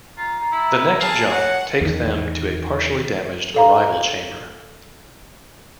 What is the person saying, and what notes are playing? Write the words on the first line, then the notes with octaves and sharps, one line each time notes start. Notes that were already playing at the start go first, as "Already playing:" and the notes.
The next jump takes them to a partially damaged arrival chamber.
F4 A#5
E4
G#4 F5 A5
F#4 C#5 F#5
E2 D#3
A4 F5 A#5